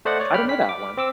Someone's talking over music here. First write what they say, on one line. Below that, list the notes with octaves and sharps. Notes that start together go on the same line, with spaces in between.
I don't know that one.
A3 C5 D5 D#5 F#5
C#5 D5
G5 B5 F6
B6
D6
C4 D6 E6